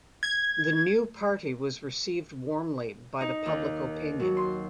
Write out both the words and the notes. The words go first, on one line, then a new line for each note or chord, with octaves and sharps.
The new party was received warmly by the public opinion.
G#6
D#4
D#2
F#3
C6